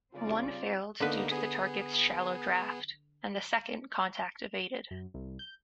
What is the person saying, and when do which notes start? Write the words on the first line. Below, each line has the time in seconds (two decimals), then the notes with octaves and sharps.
One failed due to the target's shallow draft; and the second contact evaded.
0.14 C#3 G3 C4 D#4 F4 D5
1.00 D3 A#3 B3 D#4 B4
1.32 B3 G#4
4.91 F#2
5.14 C2
5.39 G6